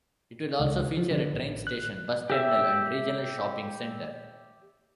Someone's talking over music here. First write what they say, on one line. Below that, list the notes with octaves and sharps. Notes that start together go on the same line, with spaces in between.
It will also feature a train station, bus terminal and regional shopping centre.
C#2
F3
D3
A1
F#6
G4 E5